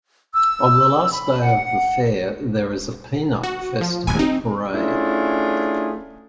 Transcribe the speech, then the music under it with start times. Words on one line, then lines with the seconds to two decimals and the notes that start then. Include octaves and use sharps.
On the last day of the fair, there is a peanut festival parade.
0.34 E6
1.13 B5
1.42 F#5
3.43 F#4
3.81 F3
4.07 D#1 A1 G#5
4.19 C4 D#4
4.74 A3 C#4 D4 E4 F4 G#4